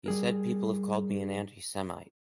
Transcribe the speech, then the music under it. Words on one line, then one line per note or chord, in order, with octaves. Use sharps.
He said People have called me an anti-Semite.
G3 G#4 A#4